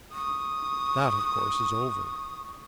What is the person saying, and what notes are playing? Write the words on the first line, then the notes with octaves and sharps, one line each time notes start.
That, of course, is over.
C#6 D#6